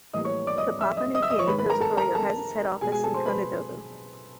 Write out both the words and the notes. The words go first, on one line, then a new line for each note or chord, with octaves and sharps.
The "Papua New Guinea Post-Courier" has its head office in Konedobu.
A2 E3 G3 A#3 D#5 D#6
C#5 C#6
D5 D6
D#5 D#6
E5 E6
D#5 D#6
D#5 D#6
E5 E6
D#5 D#6
C#5 C#6
G#2 D#3 G#3 B4 B5
B4 B5
A#4 A#5
A4 A5
A#4 A#5
A4 A5
B2 G#3 G#4 G#5
G#4 G#5
A4 A5
C5 C6
B4 B5